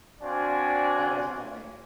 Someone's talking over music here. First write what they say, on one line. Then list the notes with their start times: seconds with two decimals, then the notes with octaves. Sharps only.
That is funny.
0.21 C4 D4 F#4 D5 F5 G#5